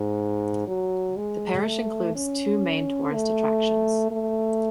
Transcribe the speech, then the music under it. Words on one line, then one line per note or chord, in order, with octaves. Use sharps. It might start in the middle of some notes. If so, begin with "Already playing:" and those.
The parish includes two main tourist attractions.
Already playing: G#2
F#3
G#3
A3
C#4
A3
A3